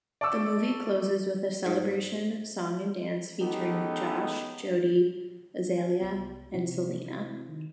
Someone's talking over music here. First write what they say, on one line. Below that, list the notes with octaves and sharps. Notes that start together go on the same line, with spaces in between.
The movie closes with a celebration song-and-dance featuring Josh, Jodie, Azalea and Selena.
D5 A5 C#6 D6 E6
G#2
G#3 B3 C#4 D#4 G4 A4
G#5 A5
C2 B3
C3 E3 C4 E4 F#4
D#3